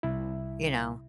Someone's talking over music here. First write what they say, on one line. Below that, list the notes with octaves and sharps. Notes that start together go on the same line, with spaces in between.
You know,
C2 E4